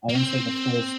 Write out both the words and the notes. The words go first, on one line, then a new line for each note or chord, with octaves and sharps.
I wanna say the first
A#3
C4